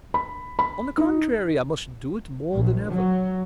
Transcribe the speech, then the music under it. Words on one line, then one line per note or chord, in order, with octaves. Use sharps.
On the contrary, I must do it more than ever.
B5
B5
D#4
A#1
F#3